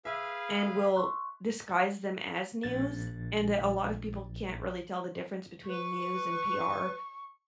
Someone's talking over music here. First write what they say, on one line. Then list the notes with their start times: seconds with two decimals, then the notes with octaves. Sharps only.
and will disguise them as news, and that a lot of people can't really tell the difference between news and PR
0.05 G#4 B4 E5 F5
0.96 C6 C#6 F#6
2.63 A#1 A6
5.69 B4 C#6